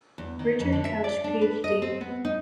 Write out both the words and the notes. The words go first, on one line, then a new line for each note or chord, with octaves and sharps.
Richard Couch, PhD.
E2
D#3
F2
D3
E5
D5
D4
B4
D#5
C4
B3
D#4